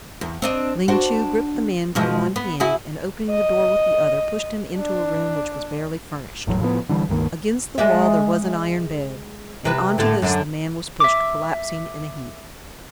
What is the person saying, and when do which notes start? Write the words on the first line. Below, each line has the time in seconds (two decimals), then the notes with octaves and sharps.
Ling Chu gripped the man by one hand and opening the door with the other, pushed him into a room which was barely furnished. Against the wall there was an iron bed, and on to this the man was pushed, collapsing in a heap.
0.21 E2
0.42 C4 D4 D#5
0.88 D4 F#4 C5
1.95 B2 F3 G#3
2.36 B3
2.60 E4 F#4 G#4
3.31 D#5
4.78 D4
6.47 G1 E2 A2 F#3
6.60 A2 F3 A3 B3
6.89 D3 E3 G3
7.09 C#2 G2 D#3 A#3
7.78 G#3 D5 E5
9.65 C3 B4
9.98 A2 D3 A3
10.22 F#2 D3 D4
11.00 E5 D6